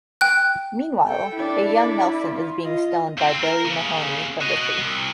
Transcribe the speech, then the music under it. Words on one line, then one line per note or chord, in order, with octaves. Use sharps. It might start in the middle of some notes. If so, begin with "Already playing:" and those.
Meanwhile, a young Nelson is being stoned by Billy Mahoney from the tree.
G5 F#6
A4 G5
D4 E4 D5
F4
F4 D#5
F2 C4
A#4
D#2 C#3
F#4 D#5
C2